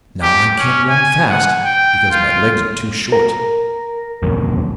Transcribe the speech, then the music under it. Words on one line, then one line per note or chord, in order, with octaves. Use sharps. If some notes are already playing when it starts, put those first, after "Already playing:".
Now I can't run fast, because my legs are too short.
G4
C#4
G#5
F#5
G5
F4
A#4
D#1 A#1 F2